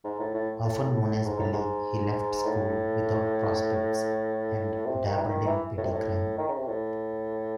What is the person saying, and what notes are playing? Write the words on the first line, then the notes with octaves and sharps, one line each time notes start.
Often known as Billy, he left school without prospects and dabbled in petty crime.
G#2
A2
A2
A2
G#2
A2
G#2
A2
C3
D#3
E3
D#3
E3
A2
C3
A2
D#3
C#3
C3
A2